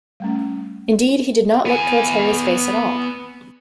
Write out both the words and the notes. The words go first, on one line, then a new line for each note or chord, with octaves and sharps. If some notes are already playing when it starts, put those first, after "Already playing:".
Indeed, he did not look towards Harry's face at all.
G3 A3 C#4
B3 G#5